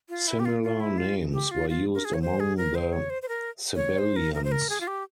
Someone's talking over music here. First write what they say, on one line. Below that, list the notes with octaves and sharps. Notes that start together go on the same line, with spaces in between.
Similar names were used among the Sabellians.
F4
E4
G4
F4
F4
E4
F4
G4
F4
F4
A#4
G#4
C#5
C5
G#4
A#4
C5
C#5
C5
C5
A#4
C#5
C5
A#4
A#4
C5
A#4
G#4
F4
G4